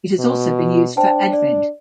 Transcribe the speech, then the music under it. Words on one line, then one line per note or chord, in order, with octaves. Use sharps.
It has also been used for Advent.
B2
D4 C5 G5 A5
D5